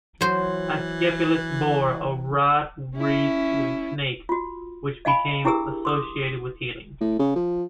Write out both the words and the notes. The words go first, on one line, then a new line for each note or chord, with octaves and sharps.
Asclepius bore a rod wreathed with a snake, which became associated with healing.
E3 F#3 C5
C#4 E4
F4 F#4
D#5 F5 G#5 B5
D4 E4 G4 G#4 A#4 E6
C6 D6 D#6
A2
C#3
F3